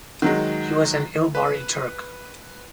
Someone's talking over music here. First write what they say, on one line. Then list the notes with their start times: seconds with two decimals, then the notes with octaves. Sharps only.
He was an Ilbari Turk.
0.22 D#3 F#3 G#3
1.35 B4